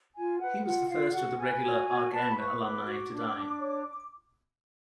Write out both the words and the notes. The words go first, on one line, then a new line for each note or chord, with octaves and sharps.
He was the first of the regular "Our Gang" alumni to die.
F4 G#5
B4 F#5
F4 F#5
F4 F5
F#4 F#5
B4 G#5
F#4
F#4
B4 A5
B5
B4 C#6
B4 D6
F#4
D4
D4
C#5